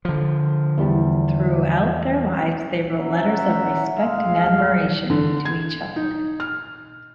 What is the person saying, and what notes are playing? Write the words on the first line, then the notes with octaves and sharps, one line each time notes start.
Throughout their lives, they wrote letters of respect and admiration to each other.
D3 F3
E2 G3
C#4 E5 F#5 A#5
G#3 F5
D3
G#6
D#4
F6